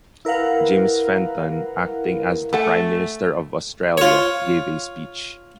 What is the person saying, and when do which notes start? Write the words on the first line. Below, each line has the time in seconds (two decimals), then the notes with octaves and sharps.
James Fenton acting as the prime minister of Australia gave a speech.
0.25 E4 A#4 B4 F5 F#5
2.53 A3 A4 F#5 G#5
3.97 F4 C#5